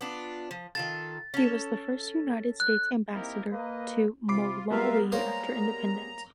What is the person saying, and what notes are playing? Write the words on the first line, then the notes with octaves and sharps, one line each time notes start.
He was the first United States Ambassador to Malawi after independence.
B3 D4 F4
F3
D#3 F4 A4 A6
C#4 A4
F#6
A#3 C4 D#4 E4 G4 A#4
A#3 B4 D#5
C3 F4 B5 D6 C7
G3 G#3 B3 F4 A#4 E5 F5
A#3 A#4 C5 C#5 A#5